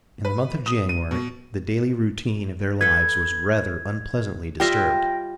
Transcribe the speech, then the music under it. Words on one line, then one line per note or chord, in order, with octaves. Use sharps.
In the month of January, the daily routine of their lives was rather unpleasantly disturbed.
B4
D#6
D#7
B2
A4 B4 G#6
G3 F4 E5 G5 A#6